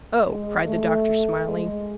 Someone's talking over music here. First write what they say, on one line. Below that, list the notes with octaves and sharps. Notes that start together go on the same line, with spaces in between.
"Oh," cried the doctor, smiling.
G#3
A3
G#3